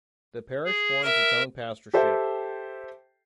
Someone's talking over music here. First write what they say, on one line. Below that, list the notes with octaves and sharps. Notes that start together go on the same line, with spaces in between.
The parish forms its own pastorship.
G#4
A#4 E5
G4 A4 C5 E5 G5